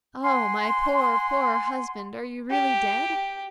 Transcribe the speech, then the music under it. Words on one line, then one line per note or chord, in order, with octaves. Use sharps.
'Oh, my poor, poor husband, are you really dead?
F#5 G#5 C6
G4